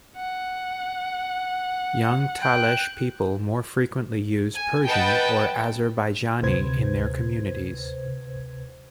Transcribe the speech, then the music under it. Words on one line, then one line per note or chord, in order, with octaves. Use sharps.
Young Talesh people more frequently use Persian or Azerbaijani in their communities.
F#5
G5 F#6
G#5
B4 D#5 F#5 G5 A5
D2 C3 B4 C5 G#6